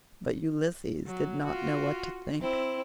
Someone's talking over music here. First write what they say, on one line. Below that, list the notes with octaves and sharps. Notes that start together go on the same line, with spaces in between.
But Ulysses did not know what to think.
F#3
F4 F#4
C4 E4